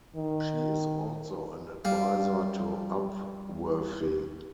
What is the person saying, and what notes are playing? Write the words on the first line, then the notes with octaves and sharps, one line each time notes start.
She is also an advisor to Upworthy.
D#3
G3 F5